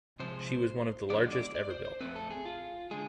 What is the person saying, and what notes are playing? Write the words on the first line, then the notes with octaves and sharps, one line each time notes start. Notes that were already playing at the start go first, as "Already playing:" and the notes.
She was one of the largest ever built.
C3 F3 G#3 C5
F2 D3 F3 G#3 B3 D5
D5
D5
C5
C5
F2 E3 A3 C4 B4
A4
G#4
F4
D3 G#3 G#4